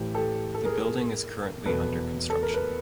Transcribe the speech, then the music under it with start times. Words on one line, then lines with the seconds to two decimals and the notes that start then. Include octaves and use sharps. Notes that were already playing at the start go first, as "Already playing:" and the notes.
The building is currently under construction.
Already playing: A2 E3 G4
0.14 G4 A4
0.54 A4
0.65 G#4 A#4
1.66 E2 B2 A4 B4
2.30 A4
2.43 A#4
2.54 B4